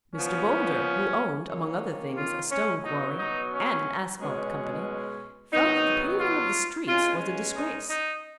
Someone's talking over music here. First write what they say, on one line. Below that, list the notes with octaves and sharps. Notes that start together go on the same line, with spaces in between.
Mr. Boulder, who owned, among other things, a stone quarry and an asphalt company, felt that the paving of the streets was a disgrace.
A#2 F3 B3 C#4
D#3 A#3 C#4
F4
C#4
B2 F#3 B3 D#4
D#4
C#4
B2 G#3 C#4
G#2 D#3 F#3 B3 D#4
F4
B2 G#3 C#4 F4
D#4
D#4